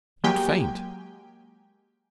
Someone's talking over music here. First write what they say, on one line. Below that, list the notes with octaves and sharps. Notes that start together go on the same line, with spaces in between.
You'd faint.
F#3 G#3 A#3 G4 G5 G#5